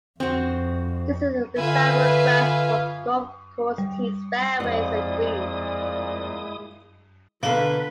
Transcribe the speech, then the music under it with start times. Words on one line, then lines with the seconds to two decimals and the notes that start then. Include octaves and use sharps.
This is a desirable grass for golf course tees, fairways and greens.
0.20 F2 C4 F#4
1.57 D3 F4 B4 E5 G#5
3.78 G3
4.60 F2 A#2 G#3 E4 D5 F#5 D#6
7.43 B2 D3 A#3 A4 B4 F5